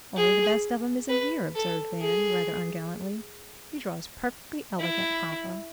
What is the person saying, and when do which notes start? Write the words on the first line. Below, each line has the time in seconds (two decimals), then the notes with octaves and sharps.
"Only the best of 'em isn't here," observed Van, rather ungallantly, "he draws perfectly elegant, papa!"
0.17 G#4
1.09 B4
1.56 A4
2.01 G#4
4.79 E4